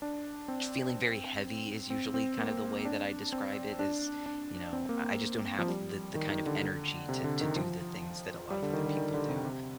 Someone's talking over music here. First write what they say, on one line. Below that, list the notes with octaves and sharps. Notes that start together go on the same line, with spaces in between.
feeling very heavy is usually kind of the way that I describe it is, you know, I I just don't have the the kind of energy to to do the things that a lot of other people do,
D4
C4
C4
C4
A#3
D4
C4
D4
D4
C4
A#3
A#3
F3
G3
D#3
D#3
D3
C3
D3
D#3
F3
G3
D3
D#3
D3
D#3
D3
C3
C3